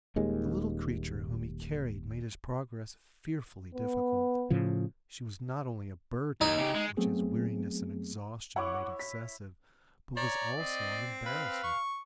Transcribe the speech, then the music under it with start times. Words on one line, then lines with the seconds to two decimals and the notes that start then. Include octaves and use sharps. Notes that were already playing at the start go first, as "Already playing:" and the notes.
The little creature whom he carried made his progress fearfully difficult. She was not only a burden, which his weariness and exhaustion made excessive, but was also an embarrassment.
0.16 D#1 D#2 G#3
3.75 B3
4.50 A2 C#3 F3
6.41 D#2 D#4
6.58 C#3 G4
6.75 G#3
6.97 F#3 A3 B3 C4 G#4
8.56 E4 C#5 F#5 D6
8.99 B6
10.17 C#5 D5 A#5
10.58 C4 D#5
11.26 B4 F5
11.64 C#6